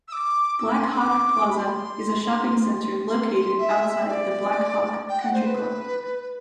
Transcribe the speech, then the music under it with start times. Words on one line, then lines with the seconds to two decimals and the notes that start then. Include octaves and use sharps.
Blackhawk Plaza is a shopping center located outside the Blackhawk Country Club.
0.08 E6
0.12 D6
0.59 E6
0.67 D6
0.78 C6
0.88 E6
0.92 D6
1.50 B5
1.58 C6
3.08 C6
3.58 E5
4.08 D5
5.09 G5
5.21 F#5
5.33 C5
5.46 B4